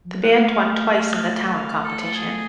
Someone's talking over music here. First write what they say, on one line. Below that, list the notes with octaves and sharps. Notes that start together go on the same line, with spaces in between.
The band won twice in the talent competition.
F3
F#3
G#3 F#5
A3 F5
D5
F5
A4
G#4